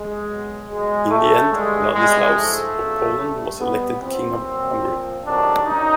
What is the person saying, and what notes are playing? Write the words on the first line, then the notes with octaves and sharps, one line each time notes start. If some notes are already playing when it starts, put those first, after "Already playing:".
In the end, Vladislaus of Poland was elected King of Hungary.
Already playing: G#3
B2 F#3
B2 F#3 G#3
A2 F#3 A3
G2 D3 G3 G#3
E2 B2 G3 G#3
G#2 F3 A3
E2 C#3 F#3
G2 D3 G3
B2 G3 B3
E2 C3 F3 C4
A#2 F#3
A#2 F3
F2 C3 D#3 F#3 D4
F#2 D#4